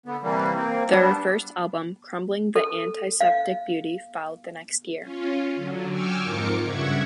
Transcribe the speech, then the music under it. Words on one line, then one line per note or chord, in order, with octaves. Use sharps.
Their first album, "Crumbling the Antiseptic Beauty", followed the next year.
D3 B3
C3 E3 G3 A#3
A#3 C4
G3 B3 D4
A4
F5
C#4 F4
D3 F#3
G5 G#5 C#6 D6 E6 F6
F2 G#2 F4 A#4 D6 C#7
G2 C#3 E5 F#5 C#6 G#6